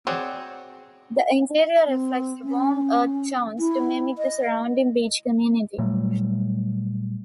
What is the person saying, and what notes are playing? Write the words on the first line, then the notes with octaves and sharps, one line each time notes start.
The interior reflects the warm earth tones to mimic the surrounding beach community.
C4 F#4 G#4 C#5 D5
C4
C#4
E4
D#5
A#2 F#3 G3 A3